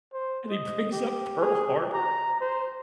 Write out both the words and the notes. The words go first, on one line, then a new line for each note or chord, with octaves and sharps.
And he brings up Pearl Harbor,
C5
D#5
G4
G#4
A#5
C5